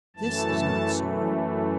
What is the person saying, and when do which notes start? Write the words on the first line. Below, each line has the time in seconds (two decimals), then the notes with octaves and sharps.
This is not sorrow.
0.17 F#2 E3 A3 A5